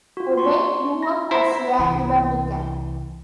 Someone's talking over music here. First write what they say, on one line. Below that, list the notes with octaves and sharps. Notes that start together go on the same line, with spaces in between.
Obey grew up as a Republican.
F4 F#4
C6 C#6
A#6
E4 C5
C2 E3